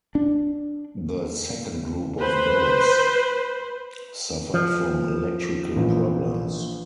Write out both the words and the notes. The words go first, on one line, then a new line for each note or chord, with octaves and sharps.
The second group of boats suffered from electrical problems.
D4
B4 C5
F3
A#1 E3